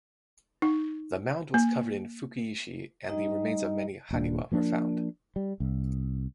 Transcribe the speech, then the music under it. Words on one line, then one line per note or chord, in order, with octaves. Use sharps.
The mound was covered in "fukiishi" and the remains of many "haniwa" were found.
D#4
A#3
G3 D#4 D#5 A#5
D#1 A#2 D4
F3 A#3 C#4 D4
G3
C2